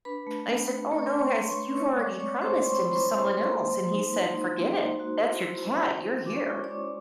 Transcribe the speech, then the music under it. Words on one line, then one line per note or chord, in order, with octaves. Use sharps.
I said, "Oh, no." I said, "You've already promised him to someone else." And he said, "Forget it. That's your cat. You're here."
D4 B4 B5
A3
A3
A3
A3 C#6
C6
A3
C#5 C#6
A3
A3
C4 C#5 C#6
G#3 D5 D6
C4 C#5 C#6
G#3 C5 C6
E4 C#6
C6
E4 B5
C5 C6
G#3
G#3
A#3
A#3
D#4
A#3
D#4
A#3
D#4
F#4
E4
E4
C#4
E4
C#4
G#3 D6
C#5 C#6
E4
D5 D6
C#4